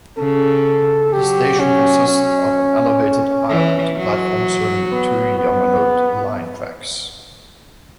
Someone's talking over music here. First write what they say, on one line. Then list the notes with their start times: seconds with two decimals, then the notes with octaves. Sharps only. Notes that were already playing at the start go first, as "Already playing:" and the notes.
The station consists of an elevated island platform serving the two Yamanote Line tracks.
0.18 C#3 A4
1.13 F#3 G4
1.60 C#4
2.07 C#4
3.50 E3
3.97 F#3
4.91 B3
5.39 B3